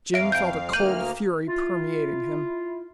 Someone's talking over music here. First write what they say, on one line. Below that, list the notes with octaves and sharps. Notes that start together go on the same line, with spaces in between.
Jim felt a cold fury permeating him.
F2 E5 F5 D7
G6 D7
D2 A#3 F6 G6 D#7 F#7
E4 F4